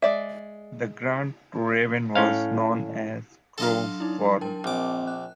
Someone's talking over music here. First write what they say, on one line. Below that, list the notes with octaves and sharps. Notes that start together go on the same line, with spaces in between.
The grant to Raven was known as Grove Farm.
G#3 D5 E5
A2 C#4 F5
F#3 D4 A4 D#5 F5 C6
D#4 E4
A#4 G5 A5
A#1 C4 D#5 D6
F#6